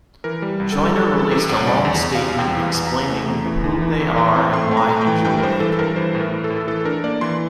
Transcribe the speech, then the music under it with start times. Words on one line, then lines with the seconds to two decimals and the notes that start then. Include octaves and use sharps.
Joyner released a long statement explaining who they are and why he joined.
0.24 E3 A#4
0.42 G3
0.60 C2
0.72 A4
0.78 G3
0.96 G3 A4
1.14 E3
1.19 A4
1.31 C3
1.49 C2
1.67 E2 D5
1.85 E2
2.03 E2
2.15 F5
2.21 C3
2.38 E2 G5
2.57 E3
2.63 F5
2.74 E2
2.87 A#5
2.92 E3
3.10 A3
3.28 E2
3.45 E3
3.64 E2
3.82 E3
4.00 E2
4.18 E3
4.36 C4
4.53 A3 C6
4.71 A3
4.77 A#5
4.89 A3
5.01 G5
5.07 E3
5.25 G2 G5
5.38 A#4
5.42 E3 C5
5.60 E3 A4
5.79 G2 A#4
5.96 E3 C5
6.15 A2
6.20 A#4
6.32 E3
6.44 A4
6.50 A2
6.67 E3 A4
6.85 D4 A#4
7.04 A#3 D5
7.21 E3 C6